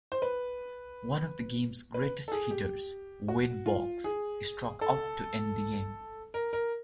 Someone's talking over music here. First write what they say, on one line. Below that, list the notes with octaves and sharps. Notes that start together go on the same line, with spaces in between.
One of the game's greatest hitters, Wade Boggs, struck out to end the game.
C5
B4
B4
A4
G#4
G4
F#4
F4
G#4
A4
A#4
A#4